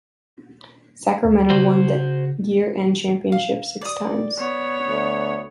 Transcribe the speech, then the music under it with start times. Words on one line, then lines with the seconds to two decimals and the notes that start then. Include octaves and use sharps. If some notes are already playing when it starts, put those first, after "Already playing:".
Sacramento won the year-end Championship six times.
1.25 D2
1.50 C#3 F#4 C5
3.32 F5
3.81 D5 D#6
4.38 B3 C#5
4.88 D2